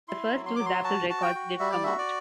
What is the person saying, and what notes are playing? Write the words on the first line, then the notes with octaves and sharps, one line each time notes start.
The first two Zapple records did come out.
E4 C6
F#3
C6
F#3 D6
C6
F#4 A5
F#4 A5
G5
F#4
G3 E5
D5
F#4 E5
D5